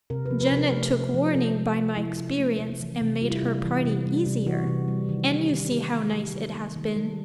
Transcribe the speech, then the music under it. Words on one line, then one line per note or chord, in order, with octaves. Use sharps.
Janet took warning by my experience and made her party easier, and you see how nice it has been.
C3 A#4
F3 B4
B4
C3
A#4
A3
C3
F3
C3 A4
A3
A4
C3
F3 E4
C3
A3
C3
E3
C3
G3 F4
E4
F4
C3
E3
C3
G3
C3
E3 F#4
C3
G3
D#3
G3
D#3
A#3 G4
D#3
G3
D#3
A#3
D#3
G3 A4